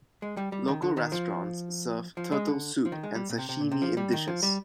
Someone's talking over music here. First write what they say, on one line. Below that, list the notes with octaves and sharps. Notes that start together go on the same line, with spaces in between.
Local restaurants serve turtle soup and sashimi in dishes.
G#3
G3
G3
D#3
D3
D#3
F3
F3
G#3
D3
F3
D#3
G#3
G3
A#2
C3
C3
A#2
C3
F3
G3
D#3
F3
G3